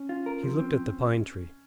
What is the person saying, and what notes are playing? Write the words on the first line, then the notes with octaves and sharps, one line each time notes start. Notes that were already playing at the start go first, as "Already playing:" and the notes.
He looked at the pine-tree.
Already playing: C#4
F4
A#4
F3
C4